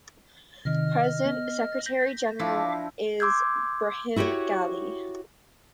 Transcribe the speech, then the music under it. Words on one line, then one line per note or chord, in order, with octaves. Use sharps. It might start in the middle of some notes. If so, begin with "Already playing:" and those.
Present Secretary-General is Brahim Gali.
C3 D#3 D#5 F6
B3
G6 A#6 B6
F3 D4 E4 E5 F5 D6
C6 D6 E6 G6 G#6
E4 F#4 G4 B4 C#5